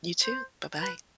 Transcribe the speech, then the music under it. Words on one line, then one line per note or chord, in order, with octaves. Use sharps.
You too. Bye-bye.
C5
B4